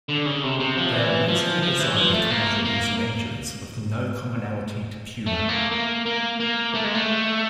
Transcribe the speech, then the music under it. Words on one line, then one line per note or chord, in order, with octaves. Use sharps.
They are Mazda designed commercial Diesel engines with no commonality to Puma.
D3
C#3
C3
C3
F3
E3
F3
F3
E3
F3
A3
A#3
A#3
A3
A#3
A#3
A#3
A#3
A3
G#3
A3